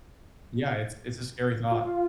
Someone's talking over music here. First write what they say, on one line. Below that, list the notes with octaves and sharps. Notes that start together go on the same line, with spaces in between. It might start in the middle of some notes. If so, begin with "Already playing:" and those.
Yeah, it's it's a scary thought.
F4